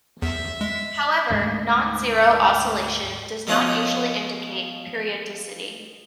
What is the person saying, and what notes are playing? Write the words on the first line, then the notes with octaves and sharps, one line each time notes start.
However, non-zero oscillation does not usually indicate periodicity.
E2 E5
G#3
D2 G#2 G#3 A3
B2 F3 C#4 F4 D#5 F#5